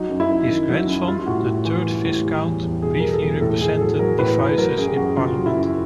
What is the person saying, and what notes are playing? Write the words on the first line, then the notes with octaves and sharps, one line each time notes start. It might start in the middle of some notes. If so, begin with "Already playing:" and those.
His grandson, the third Viscount, briefly represented Devizes in Parliament.
Already playing: F#3 D#4
F#2
E4
F#2
D#3
F#3
F#2
G3 F4
F4
A2 F#4
A2
E3
G3
A2
G3
E2
E2
B2 G#4
G3 A#4
A4
E2
A2 A4
A2 G#4
G#4
F#3 A4
F#3 A#4
A2 B4
A2 B4
F#3 A#4
F#2 G#4
G4
F#2 F#4
C#3 F4
F#3
E4
F#2